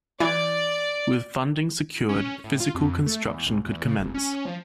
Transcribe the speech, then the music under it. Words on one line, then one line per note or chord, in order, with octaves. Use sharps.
With funding secured, physical construction could commence.
E3 D5 G#6
C#4
A2
F4
F2
A3
E2
C2
E2
C#3
F1
C#4
F3